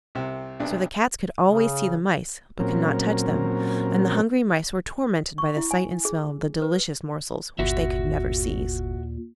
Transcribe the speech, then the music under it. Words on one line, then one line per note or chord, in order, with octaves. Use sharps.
So the cats could always see the mice, but could not touch them, and the hungry mice were tormented by the sight and smell of the delicious morsels which they could never seize.
C2 C3
B1 C3 D4
C#3
A#2 F#3 C4 C#4 A#4
C#6
E4
G#5
G#4
B4
G1 D#2 A#2 F#4 E5